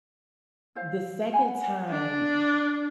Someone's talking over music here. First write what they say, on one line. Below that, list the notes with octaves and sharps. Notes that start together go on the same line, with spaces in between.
the second time
E4 C5 F5
F#5 G#5 B5
D4